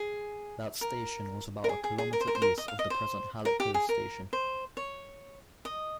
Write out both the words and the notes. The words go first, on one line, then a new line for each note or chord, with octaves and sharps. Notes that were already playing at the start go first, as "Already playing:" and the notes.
That station was about a kilometre east of the present Hallett Cove station.
Already playing: G#4
A#4
A#4
G#4
G#4
G#4
A#4
C5
A#4
C5
A#4
D#5
F5
D#5
C5
A#4
G4
G#4
A#4
C5
C#5
D#5